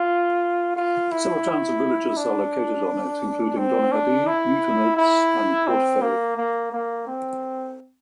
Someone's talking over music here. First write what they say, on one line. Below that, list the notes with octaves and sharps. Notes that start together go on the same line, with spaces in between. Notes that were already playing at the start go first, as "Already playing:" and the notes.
Several towns and villages are located on it, including Donaghadee, Newtownards and Portaferry.
Already playing: F4
F4
E4
D4
C4
D4
E4
E4
C4
A#3
A#3
A#3
C4